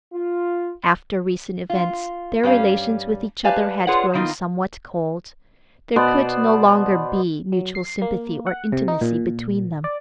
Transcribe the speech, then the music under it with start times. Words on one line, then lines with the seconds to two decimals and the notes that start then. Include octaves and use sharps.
After recent events, their relations with each other had grown somewhat cold; there could no longer be mutual sympathy or intimacy between them.
0.13 F4
1.70 F4
2.43 G2 G3 C#4 F5
3.44 G4 B4 D5 F5 G#5 A5
3.87 F4 G#4 B4 C#5 D5 F#5
4.14 D#3 A#3 B3 D#4 F4
5.96 B2 B3 C5 D5
7.52 F#3
7.75 C7
8.02 A#3
8.47 F#5
8.72 C3
8.88 D#4
9.01 A#2
9.84 D5